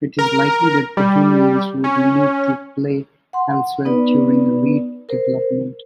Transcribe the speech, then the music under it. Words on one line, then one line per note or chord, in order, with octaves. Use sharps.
It is likely that Bohemians would need to play elsewhere during redevelopment.
A#4
G3
C#4
F#5 C6
B3 D#4 B4 D5
A#4 C5